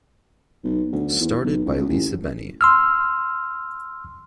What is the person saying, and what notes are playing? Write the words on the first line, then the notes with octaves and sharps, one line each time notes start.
Started by Lisa Bennie.
B1
D2
E2
B1
C#2
A1
C6 E6 F6